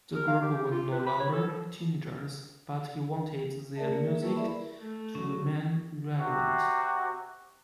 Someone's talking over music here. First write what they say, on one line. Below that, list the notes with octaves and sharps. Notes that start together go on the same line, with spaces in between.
The group were no longer teenagers, but he wanted their music to remain relevant.
A#4
F5
G4
G4
F4
B4
B5
C#5
A4
F3
A3 A#4 D5 E5 A5
A#3 G#4
E5
G3 A#3 E4 B4 A5 C#6
G#4 A#4 D5 E5 B5 C#6
A3
D3 F#3 C#4
C3 F#4